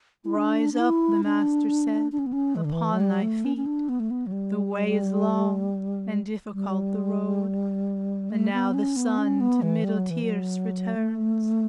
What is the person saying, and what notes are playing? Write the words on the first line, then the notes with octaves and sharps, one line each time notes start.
"Rise up," the Master said, "upon thy feet; The way is long, and difficult the road, And now the sun to middle-tierce returns."
E4
D4
D4
E4
D4
D4
C#4
B3
C#4
E3
D3
E3
F#3
G3
A3
C#4
C#4
D4
B3
A3
B3
F#3
G3
G3
A3
B3
C#4
B3
C#4
B3
E3
G3
F#3
E3
F#3
A3